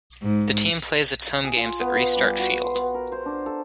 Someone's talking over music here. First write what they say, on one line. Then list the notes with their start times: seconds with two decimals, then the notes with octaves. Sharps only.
The team plays its home games at Restart Field.
0.21 G#2
1.44 G#4
1.56 F4
1.80 B3
1.96 B4
2.16 G3
2.39 F#4
2.64 C6
2.75 B3
2.94 A#4
3.12 C5
3.26 D4
3.46 A4